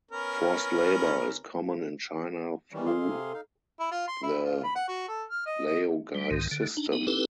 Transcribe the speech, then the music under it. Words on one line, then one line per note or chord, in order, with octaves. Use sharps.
Forced labor is common in China through the laogai system.
B3 C#4 A#4
D#3 E3 G3 C#4
G#4 A4 F5 C6
C3
D#4 F5
E4
F4
C6
E4
F4
B5
F#5
F#4
A4
F6
D#5
D#5
G3
C2 G#2 D#3
D3
D4 D#4
B3 D#4
C4 D#4 E4 G4 A4 B4